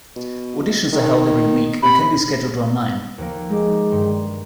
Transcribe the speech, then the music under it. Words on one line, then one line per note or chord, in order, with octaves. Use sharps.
Auditions are held every week and can be scheduled online.
B2
D#3
C3 B5
D#2 F3 A#3
G#3 D#4 D6
G2 D#3 C6